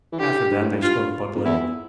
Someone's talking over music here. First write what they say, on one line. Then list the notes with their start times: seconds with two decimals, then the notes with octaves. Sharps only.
After that they spoke but little.
0.12 E3
0.19 D3 G4
0.51 G2
0.61 A2
0.71 G2
0.82 F4
1.35 F2
1.45 E2 E4